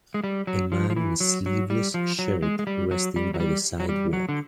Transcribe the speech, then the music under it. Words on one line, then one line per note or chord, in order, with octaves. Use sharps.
A man in a sleeveless shirt resting by the sidewalk.
G#3
G3
F#3
F3
F3
E3
F#3
F#3
G3
F3
F#3
G#3
G#3
G3
F#3
G3
F#3
G3
F#3
G3
F#3
D3